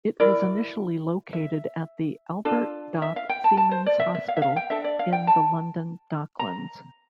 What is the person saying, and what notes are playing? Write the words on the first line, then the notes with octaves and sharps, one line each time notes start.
It was initially located at the Albert Dock Seamen's Hospital in the London Docklands.
E4 A#4 D5
E5
D4 F4 A4
E5
F5
G5
A5
A5
C5
D5
E5
E5
F5
E5
F5
G5
D4 A4 E5
D5
F5
G5
A5
A#5